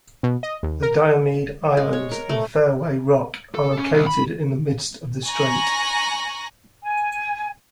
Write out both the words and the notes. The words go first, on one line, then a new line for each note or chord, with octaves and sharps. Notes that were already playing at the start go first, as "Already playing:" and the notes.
The Diomede Islands and Fairway Rock are located in the midst of the strait.
B2
D#5
D#2
A#4
G#3
C#5
A#4
A3
A4
C#4
C2
B5
G#5 A#5 C#6 F#6 A#6
G#5